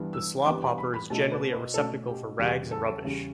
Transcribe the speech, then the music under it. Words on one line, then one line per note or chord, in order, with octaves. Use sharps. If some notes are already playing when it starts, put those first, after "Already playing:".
The slop-hopper is generally a receptacle for rags and rubbish.
Already playing: G2 E3 G3 B3
E6
G2 E3 G3 B3 D6
G5
B5
B5
B2 A3 C#4 A5
B4
B4
B2 A3 C#4 A4
G4
E2 C#3 G3 C#4 G4
A4
E2 C#3 G3 C#4